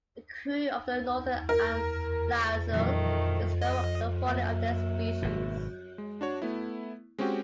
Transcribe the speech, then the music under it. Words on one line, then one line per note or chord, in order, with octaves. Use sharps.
The crew of the "Northern" and Lieserl discover the folly of their species.
A#4
A#2 D#3 E3 F#3 A3
D#5
A#3 E5
G#1 B2
G#3
D4 F#4 C#5
A3 B3 E4
G#3 C4 C#4 F#4 G4